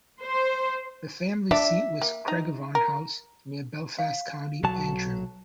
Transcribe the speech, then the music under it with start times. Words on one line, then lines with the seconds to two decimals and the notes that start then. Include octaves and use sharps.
The family seat was Craigavon House, near Belfast, County Antrim.
0.21 C5
1.51 D4 D5 E5
2.02 A#3
2.28 D#4
2.75 A#4
3.99 F5
4.64 B1 F#3 A5